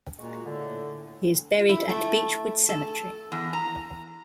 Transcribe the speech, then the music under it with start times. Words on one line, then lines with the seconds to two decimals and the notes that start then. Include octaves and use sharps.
He is buried at Beechwood Cemetery.
0.19 A#2 G#3 F#4
0.46 A2 D3
1.69 E4
1.89 A3
2.69 A4
3.32 E2
3.53 A#5